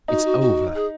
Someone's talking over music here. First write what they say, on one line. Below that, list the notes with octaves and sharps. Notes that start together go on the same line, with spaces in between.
It's over....
D#4 F#4
F#4
F#4
G#4